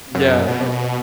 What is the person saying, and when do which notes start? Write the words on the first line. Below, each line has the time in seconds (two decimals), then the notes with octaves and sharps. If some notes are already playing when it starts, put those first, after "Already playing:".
yeah, but
0.15 F#2
0.48 B2